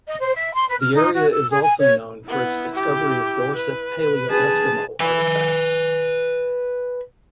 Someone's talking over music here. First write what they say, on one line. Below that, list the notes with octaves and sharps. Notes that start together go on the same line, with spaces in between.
The area is also known for its discovery of Dorset Paleoeskimo artifacts.
D#5
C5
E5
C6
B4
F6
D#4
F#4
E6
G#4
G#5
C#5
B3 E4
G4
B4
G#4 A5
B4 G#5